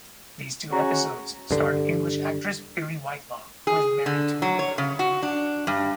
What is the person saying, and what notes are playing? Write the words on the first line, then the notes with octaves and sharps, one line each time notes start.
These two episodes starred English actress Billie Whitelaw, who was married to Muller.
C#4 F#4 G#4 A#5
G2 D3
G#4
D3
F#3
C#5
C#3
F#4
D4
G2